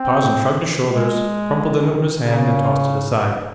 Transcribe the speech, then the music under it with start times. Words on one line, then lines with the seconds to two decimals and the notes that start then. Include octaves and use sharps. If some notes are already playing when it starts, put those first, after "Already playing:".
Tarzan shrugged his shoulders, crumpled the note in his hand and tossed it aside.
Already playing: C4
0.90 G#3
2.19 C#3